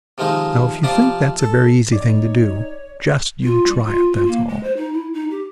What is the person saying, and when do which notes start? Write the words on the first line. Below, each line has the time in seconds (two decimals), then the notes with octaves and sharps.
Now, if you think that's a very easy thing to do, just you try it, that's all.
0.18 C3 D#3 F3 G#3 D#4
0.83 C3 F3 D5 A#5 C6
1.39 A4
1.92 D#4 C#5 D5
3.44 F4
3.67 G3
3.84 F4
4.12 F4
4.26 A#3
4.48 G#3
4.63 C5
4.77 D#4
4.93 E4
5.14 D#4
5.31 G4